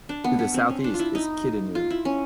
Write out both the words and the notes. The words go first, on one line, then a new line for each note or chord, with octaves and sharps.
To the southeast is Kidinnu.
D4
B3
B3
C4
C#4
D4
F4
E4
D#4
F4
E4
C#4